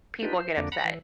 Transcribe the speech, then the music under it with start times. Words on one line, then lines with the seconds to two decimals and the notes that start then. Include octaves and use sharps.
people get upset.
0.22 D4 D#4 F4 G4 B4
0.37 C5
0.57 F2 D3 A#3 D4
0.72 F#5 A#5 B5
0.85 E3